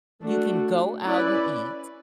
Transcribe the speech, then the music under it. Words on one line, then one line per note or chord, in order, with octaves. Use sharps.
you can go out and eat,
A3 D4 F#4
C#4 E4 B4 D5